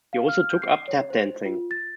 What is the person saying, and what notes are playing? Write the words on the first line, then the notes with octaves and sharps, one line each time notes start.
He also took up tap dancing.
F5
F6
G6
C7
C#5
C5
F4
A6